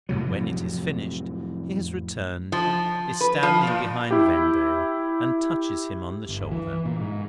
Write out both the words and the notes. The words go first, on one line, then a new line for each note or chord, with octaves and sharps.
When it is finished, he has returned, is standing behind Vendale, and touches him on the shoulder.
F2 A2 C3 F#3
F3
B4
F3
A#2
E4 G4
G1
E3
A#2
G#2